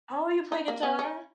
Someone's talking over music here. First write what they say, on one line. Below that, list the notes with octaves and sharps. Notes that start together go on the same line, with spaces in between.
Oh, you play guitar?
D#4
A#3
B3
C#4